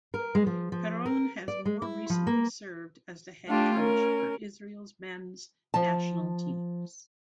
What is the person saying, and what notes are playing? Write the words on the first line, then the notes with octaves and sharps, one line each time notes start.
Perron has more recently served as the head coach for Israel's men's national teams.
A#4
G#3
F3
F3
A#4
D5
G#3
E4
F3
A#3
A3 D4 F4 G4
C#4 A#4
F3 A5